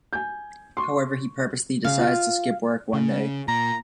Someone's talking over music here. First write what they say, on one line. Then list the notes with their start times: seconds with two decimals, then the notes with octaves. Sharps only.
However, he purposely decides to skip work one day.
0.13 G#5 G6
0.77 C6 C#6
1.84 C#3 F5
1.99 F4
2.93 C#3
3.48 A#2 A#5